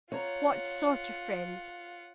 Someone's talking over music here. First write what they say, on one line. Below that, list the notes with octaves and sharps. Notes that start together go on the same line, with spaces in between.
What sort of friends?
F4 C#5 F#5 A#5